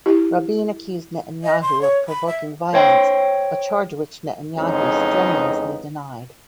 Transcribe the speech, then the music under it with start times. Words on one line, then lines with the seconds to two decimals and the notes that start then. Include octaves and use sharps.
Rabin accused Netanyahu of provoking violence, a charge which Netanyahu strenuously denied.
0.06 E4 G4
1.44 D#5
1.62 C6
1.81 C#5
2.08 B5
2.27 E5
2.73 C5 C#5 G5
4.57 F2 C#3 E3 G#3 B3 D#4